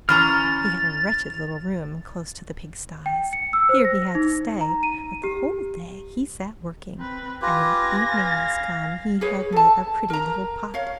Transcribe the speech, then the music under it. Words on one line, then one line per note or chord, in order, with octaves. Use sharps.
He had a wretched little room close to the pigsties; here he had to stay, but the whole day he sat working, and when evening was come he had made a pretty little pot.
E3 C#4 A#5 F6 A6
G5
C#7
E6
C5
A#6
D#4
A#5
D#7
G4
C4 B4
F4 G4 B4 G#5 A#6
F5
G#4 B4 C#5
A4 A5
A#4 A#5
C#5 F5